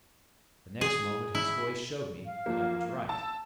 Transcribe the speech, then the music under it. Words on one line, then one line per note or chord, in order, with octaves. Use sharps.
The next moment his voice showed me that I was right.
G#4
E4
F5
F3 A#3
A5 E6